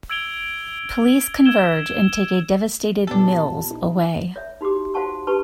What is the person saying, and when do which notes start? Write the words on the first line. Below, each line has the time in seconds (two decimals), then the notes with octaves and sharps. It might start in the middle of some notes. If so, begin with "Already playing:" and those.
Police converge and take a devastated Mills away.
0.10 E6 G#6 D7 F7 G7
1.45 E6 G#6 E7 G7
3.07 A#2 B3 D4 G4 A4
3.71 D#4 E4
4.36 C#5 E5
4.61 D#4 F#4 G4 D6
4.94 F#4 C5 F5 F#5 A5 C#6
5.27 D4 G4 B4 A5 C#6